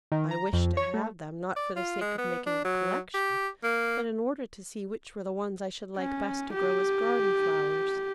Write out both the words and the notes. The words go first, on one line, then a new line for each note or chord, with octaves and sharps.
I wished to have them, not for the sake of making a collection, but in order to see which were the ones I should like best to grow as garden flowers.
D#3
A#5
F2
C#5
A3
D5
F4
G#3
B3
D4
F#3
G4
A#3
C#4
G4